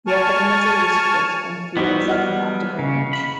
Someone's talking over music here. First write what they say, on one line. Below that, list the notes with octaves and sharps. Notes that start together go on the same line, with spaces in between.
Yet the imagery is crisp and "feels" like an optical image.
G#5 A5 C#6 F6
F#3 G3 B3 D#4 F#4 C5
D#5 F#5 F6
C#3
B5